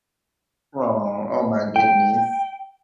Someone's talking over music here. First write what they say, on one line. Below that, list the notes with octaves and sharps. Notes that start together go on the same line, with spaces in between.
strong oh my goodness.
G5